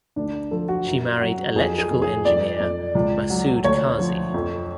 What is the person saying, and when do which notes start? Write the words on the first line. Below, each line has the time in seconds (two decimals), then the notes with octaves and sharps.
She married electrical engineer Maqsood Kazi.
0.16 D2 D4
0.51 F3 A4
0.69 F#4
0.86 F#2
1.21 F#3
1.56 F2 G#4
1.78 G#4
1.91 F2
2.02 G#4
2.25 F2 D5
2.60 F2
2.95 C#2
3.30 F#3
3.64 D2 C#5
3.99 F3
4.34 F2